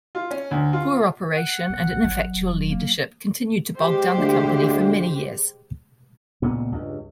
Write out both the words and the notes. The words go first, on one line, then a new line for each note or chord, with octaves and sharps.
Poor operation and ineffectual leadership continued to bog down the company for many years.
F4
C#4
D2
F4
F#5
B1
A1 F#3
E1
A#3
G#3 G4 C5
D2
C#2 A#2 B3
C#2 G2